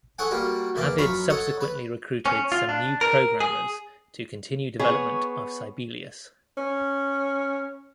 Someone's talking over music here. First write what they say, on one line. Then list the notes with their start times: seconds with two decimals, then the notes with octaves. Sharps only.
Avid subsequently recruited some new programmers to continue development of Sibelius.
0.19 G#4 A4 C#5 F#5 G#5
0.31 G3 A#3 F4 F#4
0.76 E2 A#3 D5
0.98 F#2 F4 A#5 B5 C#6
1.30 A4 C#5 D#5 F#5
1.61 B4
2.26 C#4
2.52 F4
2.69 D4
3.01 A#4
3.40 G#4
4.79 B3 G#4 C#5
6.57 C#4